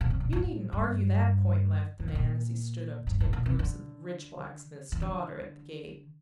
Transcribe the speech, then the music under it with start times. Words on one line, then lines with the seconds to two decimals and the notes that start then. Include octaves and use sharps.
"You needn't argue that point," laughed the man, as he stood up to get a glimpse of the "rich blacksmith's daughter" at the gate.
0.01 A#2
0.10 C3
0.20 A#2
0.33 A#2
0.36 A2
0.73 G2
2.00 G2
2.08 A2
2.15 A#2
3.07 G2
3.20 A2
3.33 A#2
3.46 C3
3.59 D3
4.92 D#3
5.02 D3